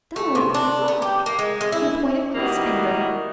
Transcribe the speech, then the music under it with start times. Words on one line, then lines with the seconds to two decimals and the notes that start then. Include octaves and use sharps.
"No, look!" He pointed with his finger.
0.16 A3
0.35 C3
0.54 D4
0.88 B3
1.02 G4
1.26 A#3
1.39 G#3
1.61 G#3
1.72 E4
2.35 D#3 G3 A#3 E4 F#4